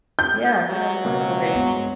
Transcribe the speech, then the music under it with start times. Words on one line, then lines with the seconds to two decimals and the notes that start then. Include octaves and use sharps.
Yeah, you have a wonderful day.
0.19 G6
0.67 F#3
1.04 C#2 B2 A#3
1.55 G2 G#3 B3